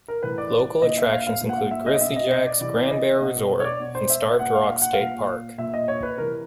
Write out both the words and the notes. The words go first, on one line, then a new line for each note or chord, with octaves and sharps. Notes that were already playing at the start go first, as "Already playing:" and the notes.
Local attractions include Grizzly Jack's Grand Bear Resort and Starved Rock State Park.
A#4
A2 E3 B4
D5
A#2 D#5
E5
F5
F5
A#2
F#5
F5
E5
D#5
B2 E5
D#5
D#5
D5
C3 E3 D5
D5
D#5
B2
C#5
D5
B2
C5
E5
A#2 F#5
F5
F5
F#5
F5
A#2
A#2 E5
D#5
C#5
B4
C3 E3 A#4